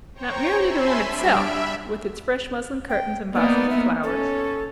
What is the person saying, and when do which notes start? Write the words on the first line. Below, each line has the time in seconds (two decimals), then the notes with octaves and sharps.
Not merely the room itself, with its fresh muslin curtains and vases of flowers.
0.14 C5 C#5 G5 A#5 C#6
0.61 E5 G#5 A5 B5 C6 E6
1.06 G3 D4 E5 F6 D7
1.42 E5 B5
2.89 G5
3.35 A#3 B3 D#4 D5
3.70 E5
4.03 C#4 A4